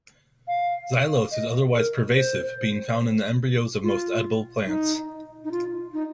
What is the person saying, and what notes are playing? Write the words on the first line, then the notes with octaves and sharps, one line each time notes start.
Xylose is otherwise pervasive, being found in the embryos of most edible plants.
F5
D#5
A#4
C5
F4
D#4
D#4
F4
D#4